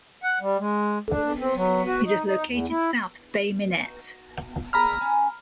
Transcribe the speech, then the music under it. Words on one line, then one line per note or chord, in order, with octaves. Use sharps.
It is located south of Bay Minette.
F#5
G3
G#3
D4
C4
F#3
F#4
D#4
D#4
E2
E4
D#4 F#4
D4 G#4 A#4 A#5 B5 F6
C#4 G#5 A5